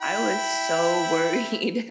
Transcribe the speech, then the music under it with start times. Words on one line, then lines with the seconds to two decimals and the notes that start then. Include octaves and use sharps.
I was so worried,
0.02 E4 G5 B5